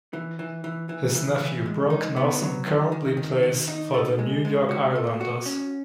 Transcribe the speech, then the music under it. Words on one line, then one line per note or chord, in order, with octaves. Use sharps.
His nephew, Brock Nelson, currently plays for the New York Islanders.
E3
E3
E3
E3
E3
E3
G#3
D#4
B3
F#3
D#3
D#3
D#3
D#3
D#4
A4
G#3
G#3
F#4
A4
F#4
C#4